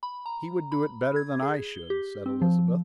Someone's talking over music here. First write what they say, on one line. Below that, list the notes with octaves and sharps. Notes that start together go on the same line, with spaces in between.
"He would do it better than I should," said Elizabeth.
B5
A#5
B5
G#6
G#4
G7
G4
C4
F3